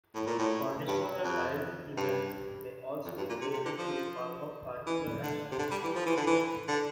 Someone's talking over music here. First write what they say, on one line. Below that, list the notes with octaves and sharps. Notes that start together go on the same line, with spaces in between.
Conditional and timed events may also be created to perform particular actions.
A2
A#2
A2
G2
F2
G2
F2
G2
A#2
C3
C3
D3
F3
E3
D3
C3
D3
G3
E3
F3
E3
D3
E3
D3